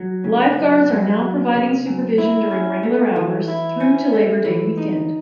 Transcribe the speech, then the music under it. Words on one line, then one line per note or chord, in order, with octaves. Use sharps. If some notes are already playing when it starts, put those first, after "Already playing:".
Lifeguards are now providing supervision during regular hours through to Labour Day weekend.
Already playing: F#3
C#3
F#2
F#2
F#3
C#3
F#2
E4
C#4
A3
E3
E4
C#4
A3
E3
D#4